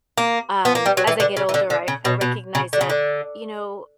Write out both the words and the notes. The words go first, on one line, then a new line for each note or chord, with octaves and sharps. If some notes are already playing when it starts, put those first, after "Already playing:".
um, as I get older, I I recognize that, you know,
A#3
B3
A#3
G3
F#3
E3
D3
C#3
E3
D3
D3
C#3
B2
B2
C#3
D3
C#3
D3